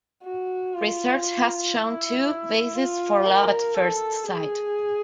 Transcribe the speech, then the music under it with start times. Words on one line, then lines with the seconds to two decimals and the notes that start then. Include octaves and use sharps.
Research has shown two bases for love at first sight.
0.24 F#4
0.75 F4
1.75 E4
2.75 F4
3.25 A#4
3.75 A4
4.24 G#4